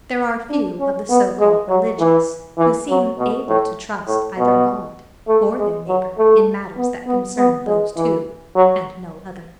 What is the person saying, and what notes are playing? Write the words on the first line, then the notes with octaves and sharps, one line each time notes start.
There are few of the so-called religious who seem able to trust either God or their neighbor in matters that concern those two and no other.
D4
C#4
B3
G#3
F#3
E3
E3
F#3
B2
A2
A2
B2
A3
G#3
F#3
A3
B3
B3
B3
G#3
E3
F#3